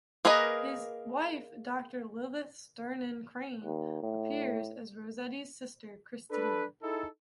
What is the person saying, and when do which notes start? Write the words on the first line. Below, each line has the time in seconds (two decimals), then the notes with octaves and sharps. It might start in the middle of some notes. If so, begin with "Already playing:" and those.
His wife Doctor Lilith Sternin-Crane appears as Rosetti's sister, Christine.
0.25 A#3 G#4 A#4 B4 D#5
3.64 D#2
4.03 A2
6.31 D4 A4 B4
6.83 D#4 E4 G#4 A4